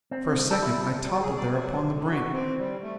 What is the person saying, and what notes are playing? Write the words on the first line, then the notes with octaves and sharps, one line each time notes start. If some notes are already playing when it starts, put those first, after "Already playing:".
For a second I toppled there upon the brink.
C4
C2
A4
E4
G3
G#4
D5
F#3
D3
F#4
C4
G3
A3